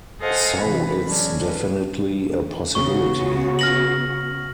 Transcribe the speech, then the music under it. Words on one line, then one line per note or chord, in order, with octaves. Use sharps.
So it's definitely a possibility.
A4 C5 D#5 F5 F#5 G#5
C3 E3 B4
F#3 C#4 D4 G#4
B4
C#3 B3 F#4 C#6
F6 A#6 F#7